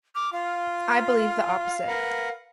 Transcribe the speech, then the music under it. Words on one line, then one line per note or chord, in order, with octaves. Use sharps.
I believe the opposite.
D6 F6
F4 F5
A#4 B4 F#5